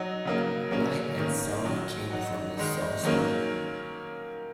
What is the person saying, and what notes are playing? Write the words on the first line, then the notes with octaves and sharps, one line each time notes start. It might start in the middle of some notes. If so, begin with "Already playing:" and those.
Light and sound came from the saucer.
Already playing: F#3 D#4 F#4
C#3 F#3 A#3
F#3 A#3 C#4
D#3 A#3 C#4
D#3 F#3 C#4 F#4
F#3 D#4 F#4
D#3 G#3 D#4
D#3 F#3 A#3 C#4